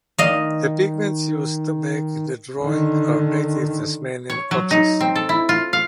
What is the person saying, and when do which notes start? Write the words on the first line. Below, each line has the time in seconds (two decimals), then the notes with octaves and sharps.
The pigments used to make the drawing are native Tasmanian ochres.
0.18 D#3 D#5 F5
2.59 D3 D#3
4.30 C#5
4.51 F#3
4.71 D#4
5.01 C4
5.16 A4
5.29 E4
5.49 F4
5.73 F5